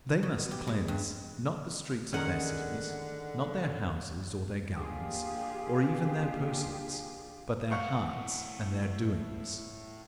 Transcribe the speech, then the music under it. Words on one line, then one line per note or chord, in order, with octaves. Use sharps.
They must cleanse, not the streets of their cities, not their houses or their garments or even their persons, but their hearts and their doings.
B2
G4
G#3
G2
D3 D#3 C#4 G#4 A#4 F#5
A#3 D4 F4 G4 G#4
A2 F5 F#5 C#6